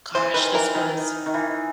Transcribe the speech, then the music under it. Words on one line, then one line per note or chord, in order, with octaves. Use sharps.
Gosh, this was
E3 C5
D#3 B4
E3 A#4
D#3
D#3
E3